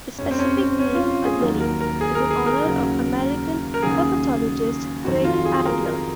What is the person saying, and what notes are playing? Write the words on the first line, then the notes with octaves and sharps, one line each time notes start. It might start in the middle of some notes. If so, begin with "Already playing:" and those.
The specific name, "adleri", is in honor of American herpetologist Kraig Adler.
F1 F2 C3 C#4
C4
C#4
C4
C#4
F4
G#4
D#2 D#3 F#3
A#4
A#4
G#4
A#4
G#4
A#4
D#2 C#3 F#3
A#4
D#2 C#3 F#3 G#4
F2 D#3 F#3 F#4
F4
G#4
A#4
A#4